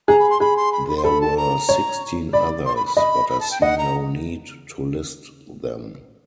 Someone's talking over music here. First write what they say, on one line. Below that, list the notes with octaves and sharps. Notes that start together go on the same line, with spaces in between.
There were sixteen others, but I see no need to list them.
G#4 A#5
B5
C6
G#4 B5
C6
B5
B5
C6
A4 B5
A5
A#5
C#5
D5 B5
C6
B5
B5
D#5 B5
B5
A5
G5
D#5 F#5
A#5